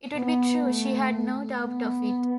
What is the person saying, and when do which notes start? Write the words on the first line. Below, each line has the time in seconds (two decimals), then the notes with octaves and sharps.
It would be true; she had no doubt of it.
0.15 B3
0.62 A3
1.54 B3